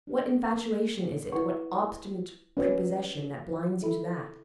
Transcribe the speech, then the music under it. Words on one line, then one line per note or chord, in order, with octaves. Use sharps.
What infatuation is it, what obstinate prepossession, that blinds you to that?
D4 G4 B4 D5
E4 B4 F#5 C#6
C#4 F#4 B4 D5
E4 A4 E5 B5